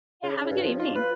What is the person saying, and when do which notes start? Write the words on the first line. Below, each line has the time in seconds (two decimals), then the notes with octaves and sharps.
Yeah, have a good evening.
0.23 C#3
0.37 C#3
0.50 G2
0.64 F3
0.79 F4
0.95 B4